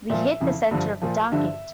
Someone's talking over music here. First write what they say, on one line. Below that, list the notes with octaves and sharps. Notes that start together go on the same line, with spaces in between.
We hit the center of the target.
A#2 F3 E5
F2 C#3 E3
G2 D3 F3
A#2 F3
G2 D3 F3 E5